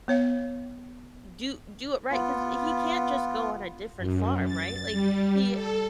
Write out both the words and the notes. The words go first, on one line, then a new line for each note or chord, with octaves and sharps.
do do it right, 'cause he can't just go on a different farm, right? Like, he
B3 C#5 F5
B3 F4
F#2
A6
G3
A4